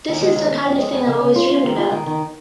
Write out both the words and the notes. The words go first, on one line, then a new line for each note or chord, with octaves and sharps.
This is the kind of thing I’ve always dreamed about.
D#2
G#3
D#2
C#4
F2
G#3
F2
C#3
C#4
F4
F4
D#3
F4
D#3
D#3